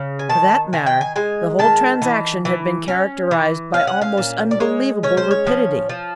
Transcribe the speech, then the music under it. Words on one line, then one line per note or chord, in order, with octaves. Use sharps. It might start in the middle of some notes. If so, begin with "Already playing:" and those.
For that matter, the whole transaction had been characterised by almost unbelievable rapidity.
Already playing: C#3
G#5
D#3 A5
D#3 G#5
G5
G#5
G#3 G#5
D#3 A5
E3
E3
C#4
E3
C#4 F5
F#5
F5
A#2
D5
G#3 C#5
C#4 C#5
C5
C#5
F3
F3